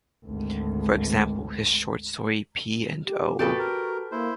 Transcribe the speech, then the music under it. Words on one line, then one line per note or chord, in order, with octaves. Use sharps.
For example, his short story, P. and O.
G#1 D2
G4
F2 A#2 C#3 F#4 G4 A4 B4
A#4
A#3 E4 C5